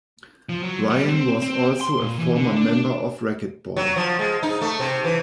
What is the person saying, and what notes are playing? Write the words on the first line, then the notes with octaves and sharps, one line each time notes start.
Brian was also a former member of Racketball.
F3
F#3
G3
C4
C4
C6
A#2
E3
D3
D4
F#3
F3
G#3
D#4
A3
C3
E3